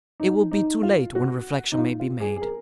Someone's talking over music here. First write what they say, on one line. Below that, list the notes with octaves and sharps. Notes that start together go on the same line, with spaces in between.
"It will be too late when reflection may be made."
D#4
D#4
F4
F#4
D#4
F4
F4
G#4
G#4
A#4